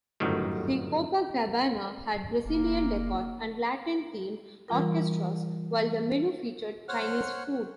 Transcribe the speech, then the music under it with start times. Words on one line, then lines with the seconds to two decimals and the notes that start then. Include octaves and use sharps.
The Copacabana had Brazilian decor and Latin-themed orchestras, while the menu featured Chinese food.
0.20 G1 F#2 A2 D#3 G3
2.45 F1 A#3
4.68 E3 G3 F4 A#4
6.88 C5 C#5 F#5 F6 F#6